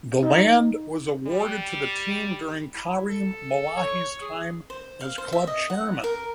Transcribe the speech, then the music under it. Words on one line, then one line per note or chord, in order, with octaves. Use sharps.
The land was awarded to the team during Karim Malahi's time as club chairman.
D#4
G3
E4
A4
C#5
G#4
C5
F5
C5
E5
D#5
F#5
A#4